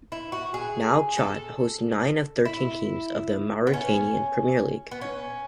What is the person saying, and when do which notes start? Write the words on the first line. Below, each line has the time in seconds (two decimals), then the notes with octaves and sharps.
Nouakchott hosts nine of the thirteen teams of the Mauritanian Premier League.
0.12 E4
0.32 F#4
0.54 G#4
1.18 A4
2.45 E4
3.67 B3
3.73 C#4
4.91 B3
5.01 C#4